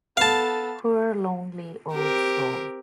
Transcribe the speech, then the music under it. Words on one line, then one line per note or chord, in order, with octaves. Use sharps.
Poor, lonely old soul.
B3 A4 F5 A5
C4 G4 A#4